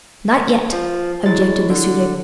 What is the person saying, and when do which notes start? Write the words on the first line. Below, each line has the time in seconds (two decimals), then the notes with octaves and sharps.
"Not yet," objected the Su-dic.
0.73 F3
1.26 F#3 G#3 E4 A6
1.70 D3